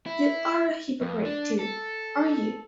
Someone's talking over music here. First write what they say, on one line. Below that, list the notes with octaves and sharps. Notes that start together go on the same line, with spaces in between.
You are a hypocrite, too, are you?
E4
F2
D4
A4